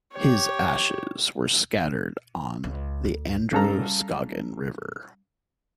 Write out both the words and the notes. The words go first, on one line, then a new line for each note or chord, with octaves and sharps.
His ashes were scattered on the Androscoggin River.
G4 C#5
C#2
D2
C#3 G3 A4 A#5